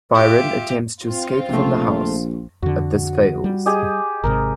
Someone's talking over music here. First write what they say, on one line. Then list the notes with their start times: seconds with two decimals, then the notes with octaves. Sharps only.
Byron attempts to escape from the house, but this fails.
0.14 F4 G4 E5
1.04 C4 F4
1.49 A#1 C3 A3
2.62 F2 D3 F#4
3.44 G3
3.66 G4 G#4 D#5
4.24 G#1 G#2 C3 A#4